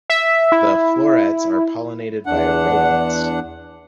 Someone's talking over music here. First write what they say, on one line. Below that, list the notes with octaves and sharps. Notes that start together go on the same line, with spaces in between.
The florets are pollinated by rodents.
E5
E4
E2 D4 F#5